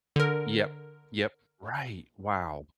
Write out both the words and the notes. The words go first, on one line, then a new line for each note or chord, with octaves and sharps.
Yep, yep. Right. Wow.
D3 A#4